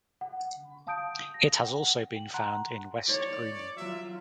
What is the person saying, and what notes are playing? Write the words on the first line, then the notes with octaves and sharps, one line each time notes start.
It has also been found in west Greenland.
F#5
F5 A5 D#6 G6 D7
A#6
F#5 G5
G5 F#7
F#5 A5 A#5 C6 F#6
C#5 D5
F#3 F4 E5